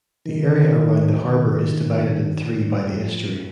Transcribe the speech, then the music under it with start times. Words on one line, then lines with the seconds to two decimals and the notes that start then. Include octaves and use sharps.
The area around the harbour is divided in three by the estuary.
0.26 D#3
1.14 D#3
2.92 F3